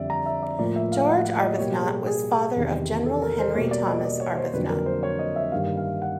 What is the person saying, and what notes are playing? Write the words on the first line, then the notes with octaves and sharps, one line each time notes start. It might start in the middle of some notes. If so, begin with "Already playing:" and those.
George Arbuthnot was father of General Henry Thomas Arbuthnot.
Already playing: F2 D3 G3 D5 E5
A#5
E5
D5
A2 F3 A#3 D5
E5
F5
F#5
F#5
D#5
B2 G3 A#3 C#5
G#4
G#4
G#4
E2 C3 D#3
A4
A#4
C5
B2 G3 A#3 C#5
D5
D#5
D5
C#5
C5
F2 D3 F#3 A#3 B4
A#4
C5
C#5
D#5
E5
G2 D#3 G3 A#3 F5
F5
F#5